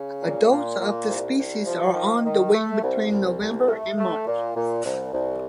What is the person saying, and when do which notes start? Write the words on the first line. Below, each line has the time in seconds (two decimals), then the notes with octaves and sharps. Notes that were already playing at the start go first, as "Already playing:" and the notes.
Adults of the species are on the wing between November and March.
Already playing: C#3
0.22 A#2
0.51 A#2
0.80 A#2
1.09 C2
1.39 C2
1.67 F3
1.96 D#3
2.25 D#3
2.54 A3
2.83 C2
3.12 C2
3.40 C2
3.69 A3
3.98 A3
4.27 A#2
4.56 A#2
4.85 C2
5.14 C2